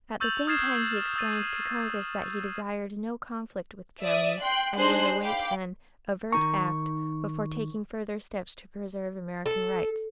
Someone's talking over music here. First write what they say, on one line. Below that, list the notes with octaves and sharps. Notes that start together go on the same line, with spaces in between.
At the same time he explained to Congress that he desired no conflict with Germany and would await an "overt act" before taking further steps to preserve American rights.
C#6 E6 G6 A6 F7 F#7
D#6 F6 G#6 A6 C7 E7
D#6 E6 A6 D#7
D5 E5 D#6
G5 C6 F#6
D4 D#4 G#4 C5 C6 F#6
F5 G5 B5 D6
D#3 D#4 A#5 C#6
A4